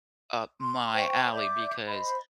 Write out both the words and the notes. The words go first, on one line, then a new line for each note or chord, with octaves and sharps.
up my alley," because
C6
C5 G5 C#6
D5 E5 D6 G6
C5 D#5 B5